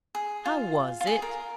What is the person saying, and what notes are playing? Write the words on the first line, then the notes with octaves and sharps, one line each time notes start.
How was it?
G#4
F4
F4
G#4
A#4